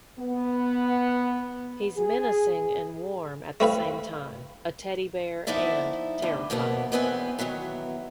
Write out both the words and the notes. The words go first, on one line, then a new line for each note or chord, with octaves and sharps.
He's menacing and warm at the same time, a teddy bear and terrifying.
B3
G#4
A3 C4 B4 F5
F3 B3 D#4 E4 D5 E5
A2 D3 B4
F2 B2 A#3 B3
E2 G#2 B3 C4 B4 G#5
D#3 E3 F#3 B3